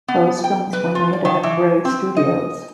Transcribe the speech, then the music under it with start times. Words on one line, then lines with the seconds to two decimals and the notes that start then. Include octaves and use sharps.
Those films were made at Bray Studios.
0.08 B3
0.44 G5
0.73 B4
0.95 F4
1.13 D5
1.25 D#3
1.43 E3
1.85 C4
2.17 D#5